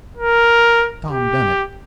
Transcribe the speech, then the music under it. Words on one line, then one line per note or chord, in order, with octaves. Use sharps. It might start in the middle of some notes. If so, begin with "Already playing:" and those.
Tom done it.
A#4
G4